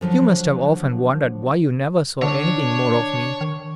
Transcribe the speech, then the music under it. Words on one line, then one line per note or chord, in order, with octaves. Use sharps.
You must have often wondered why you never saw anything more of me.
D3 F3 F#3 G#3
D3 D4 C#5
D#3